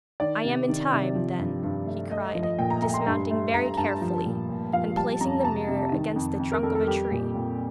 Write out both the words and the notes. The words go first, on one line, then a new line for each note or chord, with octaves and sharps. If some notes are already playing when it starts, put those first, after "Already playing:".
'I am in time, then,' he cried, dismounting very carefully, and placing the mirror against the trunk of a tree.
D#3 D5
C3
D#3
C3
F3
G2
G2
A3
A3 D#5
D#5
F3
D#5
A#2 G5
A#5
A3 A#5
C6
G2
A3
G2 A#5
G2 A5
F3
A#2
A#2
F3 F5
G3 A5
F2 A#5
C3 A5
C3
D#3
F2
F2
A#4
F2 A4
A4
G3 G4
A#2
A#2